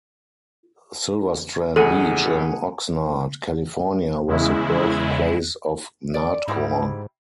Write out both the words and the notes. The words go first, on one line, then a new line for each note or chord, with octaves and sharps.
Silverstrand Beach in Oxnard, California was the birthplace of Nardcore.
A1 F2 G#4 A4 F#5 G#5 D#7
E2 C#3 G#3 E4
D5
G#2 D#3 G3 E4